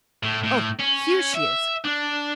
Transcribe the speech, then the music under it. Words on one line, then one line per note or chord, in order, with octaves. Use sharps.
Oh! here she is!
A2
A2
C#4
E5
D4